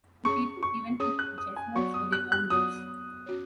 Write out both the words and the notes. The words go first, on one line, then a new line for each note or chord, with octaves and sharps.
The people even cooked the chestnuts for their own use.
C#4 G#4 C#5 C#6
C#6
C#4 G#4 C#5 D#6
F#6
D#6
G#5
F#3 B3 F#4 C#5 C#6
D#6
F#6
F#6
F#3 B3 F#4 C#5 D#6
C#4 F#4 C#5